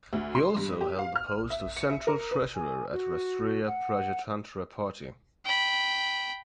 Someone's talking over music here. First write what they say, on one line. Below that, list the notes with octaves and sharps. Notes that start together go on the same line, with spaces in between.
He also held the post of central treasurer at Rastriya Prajatantra Party.
D2
C6
G2
G4
F5
F6
E5
C#7
E5
A#4
B4
G#5
F#4
F#5
G5 B5